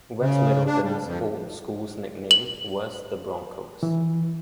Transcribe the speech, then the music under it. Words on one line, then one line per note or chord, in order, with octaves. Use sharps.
West Middleton's old school's nickname was the Broncos.
C#3
D4
G3
F2
F#7
E3